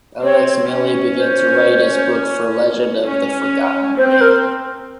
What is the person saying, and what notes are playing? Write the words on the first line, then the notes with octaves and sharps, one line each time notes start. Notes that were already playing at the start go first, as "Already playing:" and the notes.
Alex Mele began to write his book for "Legend Of The Forgotten Reign".
C4 C#5
C#4
C5
C#4
C4 C5
C5
A#4